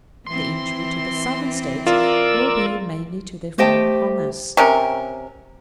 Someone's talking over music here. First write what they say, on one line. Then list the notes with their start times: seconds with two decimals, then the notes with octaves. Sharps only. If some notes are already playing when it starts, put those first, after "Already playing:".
The injury to the Southern States will be mainly to their foreign commerce.
0.27 E3 C4 C6
1.87 F4 A#4 D5 E6
3.58 A3 G4 C5 D#5 G5 A5
4.57 C3 C#4 A#4